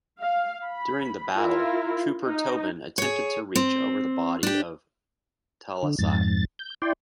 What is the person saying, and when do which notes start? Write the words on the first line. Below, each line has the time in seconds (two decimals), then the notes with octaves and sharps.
During the battle, Trooper Tobin attempted to reach over the body of Talaiasi.
0.20 F5
0.64 B5
1.36 E4 F4 A#4
2.24 D#4
2.98 G#4 C#5
3.55 C4
4.43 D4 G4
5.83 D3
5.99 F2 G#2 A6
6.59 G6
6.82 E4 D5 G5 C6